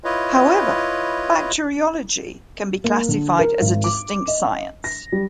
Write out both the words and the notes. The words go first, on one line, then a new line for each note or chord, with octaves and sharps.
However, bacteriology can be classified as a distinct science.
E4 F4 B4 C#5 D#5
A#3
D3
A#4
G#1
D6
D#5
A#6
G3